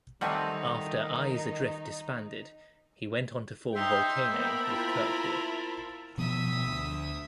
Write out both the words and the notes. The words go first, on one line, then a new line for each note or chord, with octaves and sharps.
After Eyes Adrift disbanded, he went on to form Volcano with Kirkwood.
D#3 G3 A3 C4 D#4 F#5 G#5 A5
D#4 C5 E5 G5 C6
A#3 B3 A#4 C5 B5
E4 F4 A5
B2 F3 B3 E5 D#6
D2